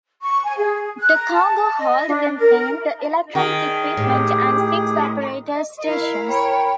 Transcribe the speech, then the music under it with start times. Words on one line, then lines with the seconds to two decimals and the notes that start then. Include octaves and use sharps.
The cargo hold contained the electronic equipment and six operators stations.
0.23 C#6
0.45 G#5
0.58 G#4
0.99 F#6
1.13 A#5
1.33 A5
1.79 D#5
2.08 D4
2.39 A#4
3.35 D#3 G#4
3.97 A2 G4
5.84 E4 A#4 F5
6.30 C#5 G5 B5